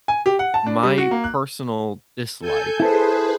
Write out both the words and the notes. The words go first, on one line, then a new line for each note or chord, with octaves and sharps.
My personal dislike
G#5
G4
F#5
A5
D4
G3
F#4
A#3
F#6
A4 G#5 G6
E4 G#4 A4 B4 C5